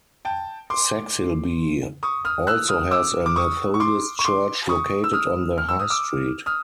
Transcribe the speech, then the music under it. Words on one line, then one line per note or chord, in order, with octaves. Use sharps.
Saxilby also has a Methodist church located on the High Street.
G5 A5
C6 D6
C#6 D#6
D#6 F6
E6 F#6
D#6 F6
D6 E6
D6
C#6 D#6
C#6
C6 D6
C#6
C6 D6
C#6 D#6
E6
D#6 F6
F6
E6
D#6
D6 E6
D#6 F6